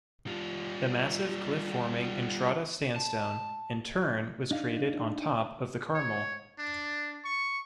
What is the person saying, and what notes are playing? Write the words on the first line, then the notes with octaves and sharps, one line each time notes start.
The massive cliff-forming Entrada Sandstone in turn was created on top of the Carmel.
G3 F4
A5
D4 D#4 F5
C#5
D4
C#6